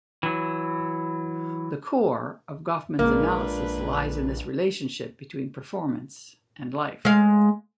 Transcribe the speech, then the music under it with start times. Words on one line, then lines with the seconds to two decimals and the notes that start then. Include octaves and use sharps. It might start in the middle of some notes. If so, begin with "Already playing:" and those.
The core of Goffman's analysis lies in this relationship between performance and life.
0.23 E3 F#3
2.99 A#1 A#2 G#3 A#3 D4 B4
7.05 G#3 F5